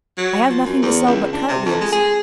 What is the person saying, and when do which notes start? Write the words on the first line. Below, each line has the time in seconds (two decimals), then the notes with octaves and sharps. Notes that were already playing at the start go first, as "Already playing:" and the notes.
I have nothing to sell but cart-wheels.
0.17 F#3
0.49 F3
0.65 F#2
0.82 E2
1.07 C#2
1.33 D4
1.48 C3
1.65 F2
1.81 G#3
1.93 G#4